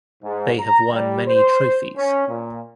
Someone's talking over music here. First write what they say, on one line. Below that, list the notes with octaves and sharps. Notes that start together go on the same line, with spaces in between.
They have won many trophies.
G#2
A#5
G3
C5
C#4
A#2